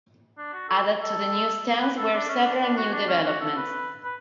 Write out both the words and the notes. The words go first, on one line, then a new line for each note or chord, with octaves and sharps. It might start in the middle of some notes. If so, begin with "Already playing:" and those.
Added to the new stands were several new developments.
D4
F#4
A4
A4
B4
A4
D4
C#4
D4
D4
F#4
D4
C#4
F#4
A4
B4
B4